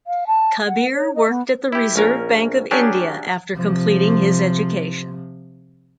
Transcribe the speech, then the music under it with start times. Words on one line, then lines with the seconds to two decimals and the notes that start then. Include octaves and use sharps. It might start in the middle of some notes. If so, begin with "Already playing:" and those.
Kabir worked at the Reserve Bank of India after completing his education.
0.07 F5
0.27 A5
0.67 F#5
0.94 C#5
1.15 D#5
1.29 B3
1.72 E4 G4
1.96 A#1 C#4 A#4
2.71 F#3 C#4 D4 G4 G#4
3.56 C3 F3